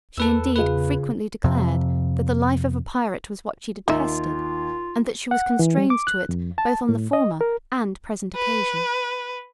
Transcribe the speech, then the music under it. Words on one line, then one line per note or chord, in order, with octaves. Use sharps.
She indeed, frequently declared, that the life of a pirate was what she detested, and that she was constrained to it both on the former and present occasion.
E2 A4 B4 E6
C#3 F4 G#4 B4 F5
F2 C3
D#2 D#4 F4 E5
F#5
E3
G3
D6
F#6
F2
A5
A2
D#5
A#4
B4